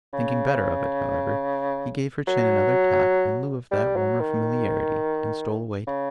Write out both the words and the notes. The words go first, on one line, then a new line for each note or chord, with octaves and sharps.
Thinking better of it, however, he gave her chin another tap, in lieu of that warmer familiarity, and stole away to bed.
C#3
F#3
G3
F#3
D#3
C#3